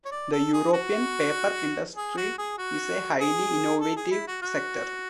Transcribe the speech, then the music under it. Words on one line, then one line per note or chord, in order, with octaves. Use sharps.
The European paper industry is a highly innovative sector.
C#5
D5
A4
G#4
F#4
G#4
F#4
G#4
F#4
G#4
A4
G#4
E4
F#4
F#4